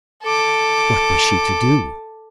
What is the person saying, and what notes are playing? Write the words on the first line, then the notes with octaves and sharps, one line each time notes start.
What was she to do?
A4 D6